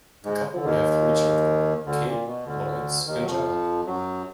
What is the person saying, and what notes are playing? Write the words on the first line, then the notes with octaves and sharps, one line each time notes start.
The couple would have three children: Kate, Laurence, and John.
G#2 G#3
D3
D#2 D#3
D2 D3
A#2
B2
D2 D3
D#2 D#3
F#3
F2 F3
F#2 F#3